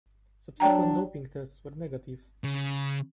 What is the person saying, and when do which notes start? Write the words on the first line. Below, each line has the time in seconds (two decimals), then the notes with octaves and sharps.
Subsequent doping tests were negative.
0.60 F#3 D4 D5 G5 A#5
2.44 C#3